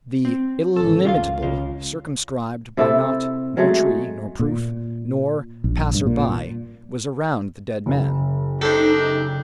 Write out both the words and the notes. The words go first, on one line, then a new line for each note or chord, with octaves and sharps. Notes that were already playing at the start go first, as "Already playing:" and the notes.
The illimitable, circumscribed by naught, nor tree, nor roof, nor passer-by, was around the dead man.
C4
G#1 C3 C#4 A4
C#2 F4 C#5 F5
C#3 F4
C3 E4 A4 E5
F#3 G#3 A3 G#4
A#2
A#1
G2
A#2
F#1
D4 D#4 G4 A4 C5